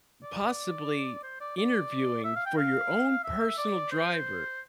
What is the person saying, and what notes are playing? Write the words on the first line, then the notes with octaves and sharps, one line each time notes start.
possibly interviewing for your own personal driver.
D5
C5
D5
D5
E5
F5
G5
F5
E5
D5
C5